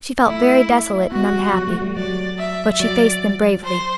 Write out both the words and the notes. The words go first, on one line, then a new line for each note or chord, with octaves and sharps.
She felt very desolate and unhappy, but she faced them bravely.
A3 E4
B3 F#4
G3
F#3
A3
G3
F#3 D5
E5
F#3 D5
C5